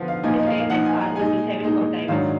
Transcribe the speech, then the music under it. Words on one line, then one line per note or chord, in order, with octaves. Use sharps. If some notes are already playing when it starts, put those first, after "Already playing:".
His favourite card was the seven of diamonds.
Already playing: D3 F3 B3
F5
A#2 F3 A#3 D#4 G#5
D#5
F5
F5
A#2 F3 A#3 D#4 F#5
G#5
A#5
A#2 G#3 D#4 G#5
A#2 G#3 D#4
G#2 D#3 F#3 D4 F5